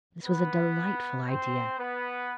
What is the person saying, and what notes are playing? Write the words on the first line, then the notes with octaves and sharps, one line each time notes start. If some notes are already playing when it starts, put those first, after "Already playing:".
This was a delightful idea.
B3 B4
C4 C5
B3 B4